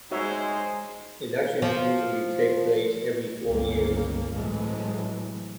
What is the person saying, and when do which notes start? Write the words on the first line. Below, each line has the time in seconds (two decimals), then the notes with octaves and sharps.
Elections usually take place every four years.
0.11 G#3 D#4 F#4 C5 C#5 E5
1.62 F3
3.46 G1 C#2 C#3 A#3
4.34 A2 C3 E3 F#3 G#3 A3